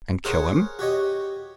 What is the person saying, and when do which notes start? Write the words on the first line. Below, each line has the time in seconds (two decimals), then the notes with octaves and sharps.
"And kill him?"
0.25 G#4 A#4 C5 C#5 F#5
0.79 F#4 G4 C#5 D#5